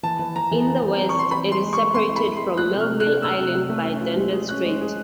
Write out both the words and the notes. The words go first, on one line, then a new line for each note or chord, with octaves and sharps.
In the west, it is separated from Melville Island by Dundas Strait.
E3 A5
E3
E3 A#5
E3
E3
E3
C4
C#6
E3 C6
C4 B5
G#3 C6
G#3
C#6
G#3
C4 C6
E4
B5
E4
C6
G#3
A3 F#6
C3
F6
C3
F#6
D4
A3 E6
C3
C3
A3
C#4
F4
G#3
G#4
C#4 F#6
G#3
G#4